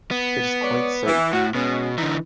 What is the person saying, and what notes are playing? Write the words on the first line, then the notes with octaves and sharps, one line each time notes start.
It is quite safe.
B3
G#3 C#5 D5
E3
A2 F#4
B2 G#3 B3 C#4
D3 E3 D#4